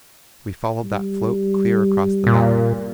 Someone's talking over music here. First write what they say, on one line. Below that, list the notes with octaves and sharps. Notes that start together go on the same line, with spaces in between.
We followed that "float" clear across the valley.
G3
A#2